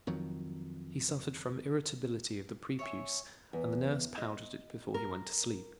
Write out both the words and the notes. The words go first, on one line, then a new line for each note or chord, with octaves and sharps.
He suffered from; irritability of the prepuce, and the nurse powdered it before he went to sleep.
F2 D#3 F#3
C#5 E5 G#5
E2
D#5
A#4